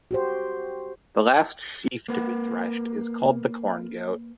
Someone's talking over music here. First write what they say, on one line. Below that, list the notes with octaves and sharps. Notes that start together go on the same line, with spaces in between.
The last sheaf to be threshed is called the Corn Goat.
F#4 G4 C5
A#3 B4